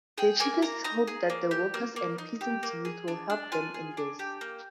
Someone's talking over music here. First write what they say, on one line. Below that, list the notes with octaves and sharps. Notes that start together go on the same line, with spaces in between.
The Chekists hope that the workers and peasants youth will help them in this.
G#4 G5
A#3 G#5
A#3 A#5
D#4 A#5
G#4
A#3
G4
A#3
A#3
D#4
G4
A#3
G#4
D4
D4
F4 G#5
G#4
D4
G4
A#3